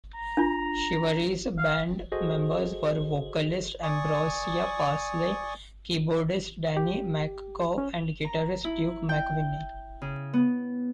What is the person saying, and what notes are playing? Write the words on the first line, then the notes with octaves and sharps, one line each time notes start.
Shivaree's band members were vocalist Ambrosia Parsley, keyboardist Danny McGough and guitarist Duke McVinnie.
A#5
D4 F4
F5
F#4 G#4 A4 C5 D#5
D5 G#5 C#6 D#6
G4
C#4
A#5
E4
G5
C#3
B3